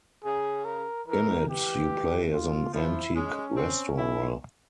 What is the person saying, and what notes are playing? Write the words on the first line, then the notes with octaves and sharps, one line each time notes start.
In it you play as an antique restorer.
C#3 G#4
A#4
E3 A#4
E3 G4
F4
F3 E4
G#3 C#4
C4
E4